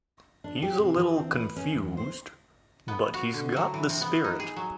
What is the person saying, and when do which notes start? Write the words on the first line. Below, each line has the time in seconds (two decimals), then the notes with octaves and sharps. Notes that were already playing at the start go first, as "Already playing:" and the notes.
He's a little confused but he's got the spirit.
0.44 D4
0.62 G4
0.79 C3
0.96 E3
1.16 C4
1.33 B4
1.56 C#4
1.73 E2
1.97 C5
2.88 B3
3.14 F#4
3.33 D3
3.56 F#3
3.74 E3
3.90 C3
4.01 B3
4.24 D#4
4.40 G#4
4.56 F#3